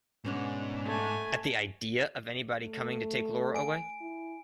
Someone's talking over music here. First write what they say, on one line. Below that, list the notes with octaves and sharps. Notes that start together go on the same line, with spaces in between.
At the idea of anybody coming to take Laura away?
G#2 B2 C#4 D4
A3 G#5
A3
G#5 D7
E4